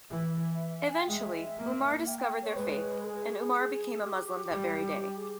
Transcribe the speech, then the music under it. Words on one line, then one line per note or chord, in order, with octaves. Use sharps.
Eventually, Umar discovered their faith, and Umar became a Muslim that very day.
E3 E5
G#5
G5
G#3 E5
A#3
G5
G5
C#5
G#3 B4
G#4
G4
G3
G4
G#4